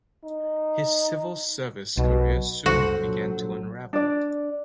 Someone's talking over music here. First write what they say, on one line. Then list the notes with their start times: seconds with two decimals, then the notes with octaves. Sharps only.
His civil service career soon began to unravel.
0.24 D#4
1.97 B1 B2
2.66 F#1 C2 F#4 A4 C5
3.00 A#1 F#3
3.93 D4 D5